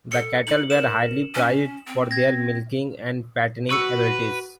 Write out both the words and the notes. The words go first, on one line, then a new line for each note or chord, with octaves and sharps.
The cattle were highly prized for their milking and fattening abilities.
A4 C#7
D#4 F#7
A#4 E7
C#4
C4
G#6 A#6
F#4 B4 C#6 E6 C#7